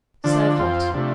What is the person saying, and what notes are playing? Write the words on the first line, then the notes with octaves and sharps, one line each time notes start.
Serve hot.
D3 F3 D4
F2 C4 F4
C3 F3 A3 D4